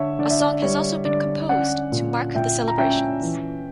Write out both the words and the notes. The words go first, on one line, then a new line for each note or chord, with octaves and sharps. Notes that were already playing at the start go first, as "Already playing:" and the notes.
A song has also been composed to mark the celebrations.
Already playing: D3 C#5 E5
D3 D5
E5
D5
G3 C#5
D3 D5
C#4 D5 F#5
A#2
A#2 E5 G5
A#5
C#4 E5 G5
E3